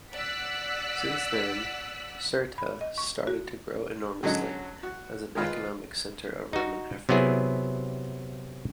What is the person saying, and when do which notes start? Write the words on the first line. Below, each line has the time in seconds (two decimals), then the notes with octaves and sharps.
Since then Cirta started to grow enormously as an economic center of Roman Africa.
0.12 D5 F#5 E6 F#6 B6
2.58 B5
2.81 D#5
2.98 C#6
3.27 F#4
4.23 D3 F#3 G#3 C#4 D#4 F#4
4.83 F#4
5.35 D#3 G#3 F4 B4
6.53 D#4 F#4
7.09 C3 F#3 B3 E4 G#4